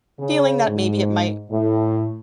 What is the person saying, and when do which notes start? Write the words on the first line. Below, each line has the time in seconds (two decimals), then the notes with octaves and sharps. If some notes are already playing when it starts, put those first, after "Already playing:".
feeling that maybe it might
0.20 C#3
0.68 G#2
1.51 A2